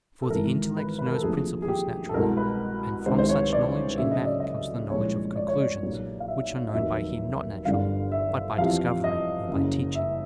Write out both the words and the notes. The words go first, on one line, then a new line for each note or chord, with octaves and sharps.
For the intellect knows principles naturally; and from such knowledge in man comes the knowledge of conclusions, which are known by him not naturally, but by discovery, or by teaching.
A4
G#1 G#2 E3 A#4
B4
B4
A#4
A4
D2 C3 F3 A#3 G#4
G#4
G4
A4
C2 B2 G#3 A#4
B4
C#2 C3 D#3 G#3 C5
C5
C#5
D5
D2 C#3 F#3 E5
D#5
D5
D#5
C2 A#2 F3 G#3 C#5
D5
C#5
D5
B1 A#2 G3 A#3
F5
E5
D#5
F1 D#2 D#3 F#3 E5
G1 G2 D3 G3 F5
E5
E2 C3 F3 F5
D#5
F#1 F#2 C#3
E5